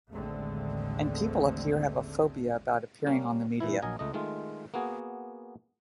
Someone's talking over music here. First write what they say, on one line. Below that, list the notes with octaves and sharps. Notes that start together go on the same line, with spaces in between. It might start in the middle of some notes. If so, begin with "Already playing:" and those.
And people up here have a phobia about appearing on the media.
A1 D#2 D3 G#3 A3 C4
G3 A#3 C#4
A#2 E3 E4
A#1 F#3 A#4 D#5 G#5
C#2 A3 D#5
D#3 G#3 A3 F4
A#3 B3 F#4 G#4